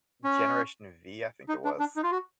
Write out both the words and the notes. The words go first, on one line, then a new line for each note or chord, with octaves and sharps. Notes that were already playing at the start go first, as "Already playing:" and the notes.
Generation V, I think it was?
C#4
D#4
D4
D4
D#4
F4
F#4